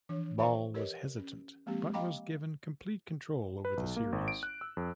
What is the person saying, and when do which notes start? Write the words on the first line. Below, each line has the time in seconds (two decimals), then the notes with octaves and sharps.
Ball was hesitant, but was given complete control over the series.
0.09 E3 F3 D4 C#5
0.39 C5 E5 C#6
0.74 G4 A#4 B4 C#5 D#5
1.18 C#4
1.66 F3 G#3 A#3 C4 G4
1.93 D#5 F5 G5 A#5 B5 D6
3.65 B4
3.77 B1
3.96 A#3
4.12 G#1
4.28 D7
4.43 F#6
4.61 E6
4.77 F2